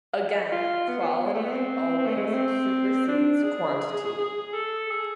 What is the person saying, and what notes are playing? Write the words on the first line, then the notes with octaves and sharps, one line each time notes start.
Again, quality always supersedes quantity.
F4
B3
B3
G#3
A3
B3
C4
C4
A3
G#3
A3
C4
D4
G#4
G#4
G#4
G#4
G#4
A4
G#4